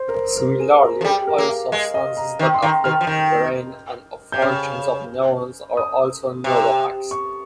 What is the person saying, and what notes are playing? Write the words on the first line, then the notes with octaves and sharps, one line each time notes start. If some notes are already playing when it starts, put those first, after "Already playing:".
Similarly, other substances that affect the brain and functions of neurons are also neurohacks.
Already playing: C5
A#4
C5
A#4
G#4
A#4
F3
G3 G#4
A#4
A#3
F5
G#3 D#5
D#5
A#5
D#3
C6
D#3 A#5
D#3 F6
F3
D#3 G6
C3 G6
C#3 F6
D#6
C3
C#6